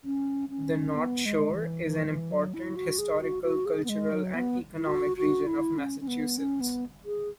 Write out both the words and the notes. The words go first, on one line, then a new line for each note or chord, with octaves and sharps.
The North Shore is an important historical, cultural, and economic region of Massachusetts.
C#4
C#4
B3
G#3
E3
E3
E3
F#3
E4
F#4
G#4
F#4
F#4
G#4
B3
G#3
F#3
B3
E4
F#4
F#4
E4
C#4
C#4
B3
C#4
B3
G#4